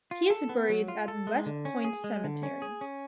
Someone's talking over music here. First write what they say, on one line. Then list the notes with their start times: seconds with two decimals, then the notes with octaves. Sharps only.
He is buried at West Point Cemetery.
0.11 F4
0.30 A4
0.49 B3
0.69 F#3
0.88 F4
1.08 A4
1.27 G#3
1.46 D3
1.65 C#4
1.85 G#4
2.04 G#3
2.24 D3
2.43 C#4
2.62 G#4
2.81 C#4